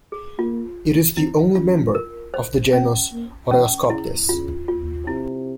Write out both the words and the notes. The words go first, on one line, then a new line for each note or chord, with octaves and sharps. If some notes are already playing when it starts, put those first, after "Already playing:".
It is the only member of the genus Oreoscoptes.
G#4
A#3 F4
C4 E4
C#4 F4
A#4
C5
C4 C#4
A#3
E3 C#4
C#3 E4
C#3 F4
F4
C3 E4